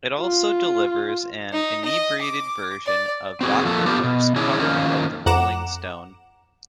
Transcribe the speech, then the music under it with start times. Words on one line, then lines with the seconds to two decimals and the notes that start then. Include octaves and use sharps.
It also delivers an inebriated version of Doctor Hook's Cover of the Rolling Stone.
0.20 F4
1.53 D#4
1.85 D#5
2.21 D6
2.86 D5
3.41 C4 F#4 G#4
3.65 F3 A3 A#3 A4
3.86 B3 D4 F4 G4 A4
4.03 B2
4.36 D#3 C#4 D4 E4 G#4 C#5
4.60 D#3 F3 A#3 C4 C#4
5.26 F2 F#5 A#5 D6 E7